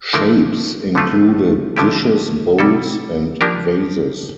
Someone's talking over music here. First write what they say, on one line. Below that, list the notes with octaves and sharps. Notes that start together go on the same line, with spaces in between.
Shapes included dishes, bowls, and vases.
D3 F3 A3 E4 A#4
D3 F3 A3 C4 F4
D3 F3 A3 E4 G4
C3 G3 C4 E4 A4
F3 A#3 D4 G4 A#4